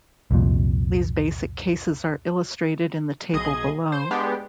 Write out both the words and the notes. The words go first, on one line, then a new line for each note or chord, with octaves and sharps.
These basic cases are illustrated in the table below.
C2 F2 A#2
B1 G#4 D#5 G#6
C5
G#3 B3 D4 G4